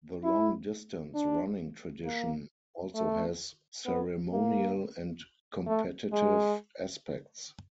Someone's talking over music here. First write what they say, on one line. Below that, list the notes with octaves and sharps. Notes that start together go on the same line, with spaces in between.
The long-distance running tradition also has ceremonial and competitive aspects.
E4
D4
A#3
A3
B3
A#3
A3
G#3